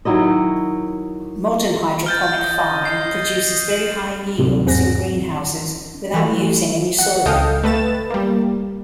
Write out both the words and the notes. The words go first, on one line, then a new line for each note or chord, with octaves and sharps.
Modern hydroponic farming produces very high yields in greenhouses without using any soil.
D#3 F#3 E4 D#5
F6 G6 A6
D#5
C7
F#7
D2 A2 C3 D#3 F#3
E2 G#2 C4 G#4 F#5 A#6
E3 A3
F#5
C#2 A4 D#5 F5 G5
A3 B4 A6 E7
G3 A#3